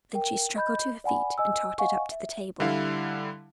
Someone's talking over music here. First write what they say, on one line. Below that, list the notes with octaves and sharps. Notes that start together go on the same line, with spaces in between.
Then she struggled to her feet and tottered up to the table.
A#4 G5
D#5 B5 G6
D5 F#5 G#5 B5
D#5 G#5 E6
D#5 F5 F#5 G#5 C#6
E5
D3 G3 E4 F5